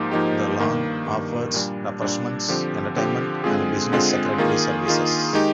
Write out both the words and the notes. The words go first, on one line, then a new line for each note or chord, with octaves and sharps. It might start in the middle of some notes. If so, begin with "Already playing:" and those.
The lounge offers refreshments, entertainment and business secretary services.
Already playing: G#2 F3 A#3 D#4 G4
G#2 F3 A#3 D#4 G4
G2 D#3 A#3
G2 D#3 A#3
A#2 G3 D4
A#2 G3 D4
D3 F3 C4 G4
D3 F3 C4 G4
D3 G#3 C4 F4 G#4
D3 G#3 C4 F4 G#4
D#3 A#3 F4 G#4
D#3 A#3 F4 G#4
D#3 G#3 D#4 G4